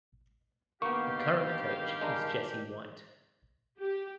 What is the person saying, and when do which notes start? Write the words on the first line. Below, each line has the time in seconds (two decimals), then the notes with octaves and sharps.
The current coach is Jesse White.
0.82 G2 D#3 A#3 B3 G4 F5 C#6
2.01 G#3 D4 A#5
3.82 G4